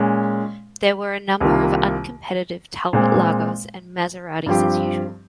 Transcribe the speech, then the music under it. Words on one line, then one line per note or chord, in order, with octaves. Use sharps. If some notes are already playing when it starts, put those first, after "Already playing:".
There were a number of uncompetitive Talbot-Lagos and Maseratis as usual.
Already playing: A#2 G#3 C#4
C2 C3 D#3 A#3 F4
A#2 G#3 C4
G2 F3 C4 G4